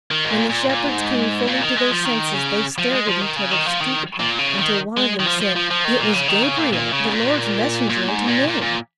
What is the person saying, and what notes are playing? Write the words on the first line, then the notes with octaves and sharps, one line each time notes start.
When the shepherds came fully to their senses, they stared at each other stupidly, until one of them said, "It was Gabriel, the Lord's messenger unto men."
D#3
G#2
A#2
A#2
A#2
G#2
A#2
D#3
G#3
F3
D#3
C#3
F3
G#3
F3
D#3
C#3
D#3
F3
D#3
A#2
C#3
D#3
G#3
D#3
F3
F3
F3
F3
D#3
A#2
C#3
D#3
C#3
A#2
A#2
C#3
G#2
A#2
A#2
G#2
A#2
A#2
A#2